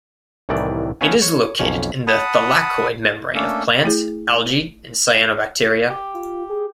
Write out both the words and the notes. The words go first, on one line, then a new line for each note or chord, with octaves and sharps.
It is located in the thylakoid membrane of plants, algae, and cyanobacteria.
C2 A2 D#3 E3 D5
A3 B3 C#4 F5 G#5
C#5
B1 F2 C#4
F#5 A5 B5 D#6
A3 A#3 C#4 D4 A4
A3 E4 G#4
G4
F4
G#4